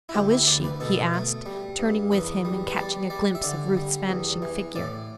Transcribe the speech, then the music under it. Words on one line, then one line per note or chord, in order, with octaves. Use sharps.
"How is she?" he asked, turning with him and catching a glimpse of Ruth's vanishing figure.
E4
D2 G4
E4
D2 D5
B4
B2 A4
A3
G3
G2
E2 B4
G3
B4
G3 D5
G3 D5
E5
D3 D5
G3
E2
E3
A2 D5